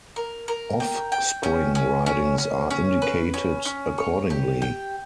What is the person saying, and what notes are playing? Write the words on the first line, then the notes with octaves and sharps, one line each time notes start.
"Off-spring" ridings are indicated accordingly.
A#4
A#4
G5
G5
C#4
C#4
C#4
C#4
C#4
B4
C#4
C#4
C#5
G4
G5